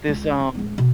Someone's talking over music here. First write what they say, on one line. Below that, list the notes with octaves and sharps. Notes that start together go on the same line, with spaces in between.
this, um
C#2
D#3
D1 G#3
B2